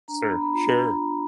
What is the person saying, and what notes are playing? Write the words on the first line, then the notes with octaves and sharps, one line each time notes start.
Sir sure.
D4 A#5
A#5
B3 B5
B5
F4 A#5